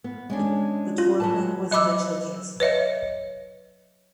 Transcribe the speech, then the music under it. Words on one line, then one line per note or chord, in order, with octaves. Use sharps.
The tournament was eventually cancelled.
B3
G#3 C#4 D4
F4
F#3 B4 A5
F#3 D#5 B5 D6 E6
B4 C#5 D#5 E5